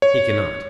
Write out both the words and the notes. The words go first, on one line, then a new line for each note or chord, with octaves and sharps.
He cannot.
C#5